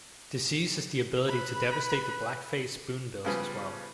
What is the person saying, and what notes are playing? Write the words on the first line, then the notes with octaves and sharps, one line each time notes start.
Disease has the ability to devastate the black-face spoonbills as well.
B4 B5
C#3 F3 G3 B3 G#4 B4